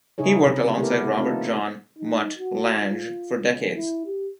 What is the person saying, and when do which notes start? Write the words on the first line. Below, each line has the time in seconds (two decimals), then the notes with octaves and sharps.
He worked alongside Robert John "Mutt" Lange for decades.
0.18 C#3 D#4 E4 G#4 C#5
0.45 C3 F#3
0.78 A3 B3 E4 G4 A4 A#4
1.18 A3 A#3 C4 D#4 F4 A4
1.98 D#4
2.38 F#4
2.80 F4
3.40 C#2
3.74 E4
4.06 G4